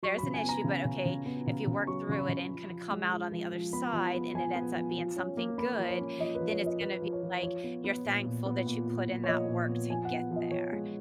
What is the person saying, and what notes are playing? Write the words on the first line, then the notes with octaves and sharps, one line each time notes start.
there's an issue, but okay. If you work through it and kinda come out on the other side, and it ends up being something good, then it's gonna be, like, you're thankful that you put in that work to get there.
F#3 C#6
B5
C#3
G#5
B3
A#5
C#3
C#3
C#3
B3
C#3
C#3
F#3 C#6
C#3 C#6
B5
C#3
F3
F3
G#3
F3
F3
F3
B3 B5
F3
B3
F3 G#5
B3
F3
F3
C#4
A#3
A#3 B5
F3
C#5
C#4
F3 D#5
B4
F3
C#5
F3 D#5
F3 B4
F3
C#5
F3
F3 C#5
B3
B3
A#2
A#2
B3
A#2
A#2
A#2
C#5
F3 D#5
A#2
B3
F3 G#5
F#5
B3
F3
D#5
F3 C#5
G#3